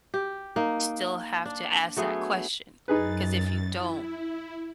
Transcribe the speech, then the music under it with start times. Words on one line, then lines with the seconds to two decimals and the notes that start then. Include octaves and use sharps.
still have to ask that question, 'cause if you don't,
0.14 G4
0.56 A#3 D#4
1.46 D4
1.96 F#3 A3 B3 G#4
2.88 F#2 D#4 G#4 B4 A6
3.70 E4